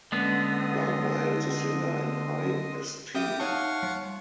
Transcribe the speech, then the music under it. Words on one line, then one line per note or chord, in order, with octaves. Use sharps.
Wagner held the singer in high esteem.
D3 G#3 A#3 B3 C#4 D#5 C6 D#6
C4 G4 E5 D#6 G6
D#4 C#5 F5 F#5 A5 C#6
G3